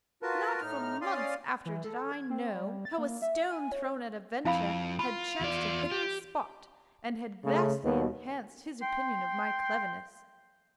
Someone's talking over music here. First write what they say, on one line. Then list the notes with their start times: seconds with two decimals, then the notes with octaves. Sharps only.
Not for months after did I know how a stone thrown at a venture had chanced to hit the spot, and had vastly enhanced his opinion of my cleverness.
0.22 F4 F#4 A#4 B4 A5
0.61 A2 D#4 F6
1.01 C#4 D5 F5 C6 D#6
1.65 E3
1.84 A4
2.12 G#6
2.30 C4
2.54 G3
2.85 A6
2.98 A#3
3.22 E5
3.51 G#5
3.72 C#5
4.45 F2 E4 F5 B5
4.99 F4 B5
5.41 E2 D5
5.92 G4
7.45 C#3 A3
7.84 D#2 B2
8.83 G5 C6